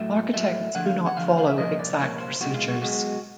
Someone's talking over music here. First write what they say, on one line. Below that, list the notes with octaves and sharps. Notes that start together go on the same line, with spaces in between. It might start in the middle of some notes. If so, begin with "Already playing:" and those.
Architects do not follow exact procedures.
Already playing: A2 F#3 A3 E5
A2 F#3 A3 E5
D2 D3 F3 F#5
F5
F#5
D2 D3 F3 F5
F5
F5
E5
C2 A#2 F3 A#3 D#5
D5
C2 A#2 F3 A#3 C#5
C5
B1 B2 G#3 F#4
F4
F#4
B1 B2 G#3 F#4